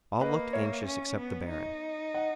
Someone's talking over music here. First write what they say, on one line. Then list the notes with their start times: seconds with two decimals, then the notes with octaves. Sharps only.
All looked anxious except the baron.
0.21 A#3 B4 D#5
0.53 C#5 E5
0.86 C#4
1.18 B3
1.50 D#4
2.14 D#5 F#5